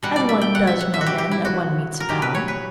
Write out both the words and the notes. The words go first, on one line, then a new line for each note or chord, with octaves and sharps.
"As one does know men that one meets about."
B2 G3 F#5
D5
E5
G5
F#5
E5
F#5
E5
F#4
G4
G4
E4
F#4
A#4
A#2 F#3 G4
B4
C#5
B4